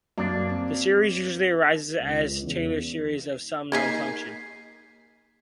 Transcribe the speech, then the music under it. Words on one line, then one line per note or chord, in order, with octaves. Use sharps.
This series usually arises as the Taylor series of some known function.
F#2 A#3 D4 D5
C4
C#2
E2
A#3 D#4 G#4 G#6 B6 C7